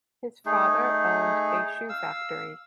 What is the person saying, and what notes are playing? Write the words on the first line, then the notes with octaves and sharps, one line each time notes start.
His father owned a shoe factory.
A3 D#4 G#4
F5 E6